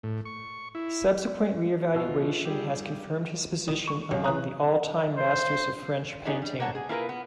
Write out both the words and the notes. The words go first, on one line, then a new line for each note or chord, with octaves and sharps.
Subsequent reevaluation has confirmed his position among the all-time masters of French painting.
A2
C#6
E4
B2 F4 E6
G3 G4 G#4
D#3 E4 D#5
C#6
C#2 F#3 D#4 G4
C#3 E3 A#5 D#6 F#6
C5
F#3 B3 D4 D#4 G4 G#4
G3
A#3 C#5 F#5 G#5 A5
G#4
A#3 E4 F4 G#4 A#4 B4
B3